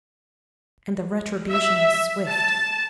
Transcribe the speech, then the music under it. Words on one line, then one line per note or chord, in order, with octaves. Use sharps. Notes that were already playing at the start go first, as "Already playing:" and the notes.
And the retribution was swift.
E5
A5